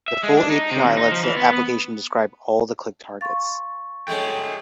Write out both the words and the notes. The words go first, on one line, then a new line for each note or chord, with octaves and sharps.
The full API lets the application describe all the click targets.
E5
G#3
D4
D#4
C3
D#2
D#4
F3
E3
B3
B3
F5 C6 C#6 A6
F#2 G#3 A3 G#4 A4 C#5 G5